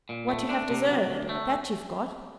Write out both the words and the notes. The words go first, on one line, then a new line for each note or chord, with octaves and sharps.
What you have deserved, that you've got.
A#2
A3
D4
C3
F#3
D2
A3